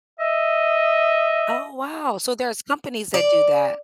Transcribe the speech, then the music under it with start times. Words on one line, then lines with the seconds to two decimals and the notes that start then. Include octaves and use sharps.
Oh, wow, so there's companies that do that?
0.20 D#5 E5
3.14 D5